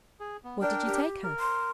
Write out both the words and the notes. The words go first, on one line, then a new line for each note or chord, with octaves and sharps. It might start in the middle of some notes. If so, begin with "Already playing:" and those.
'What did you take her?'
G#4
B3
D4 A#4 D5 G5
G4
A#4
C6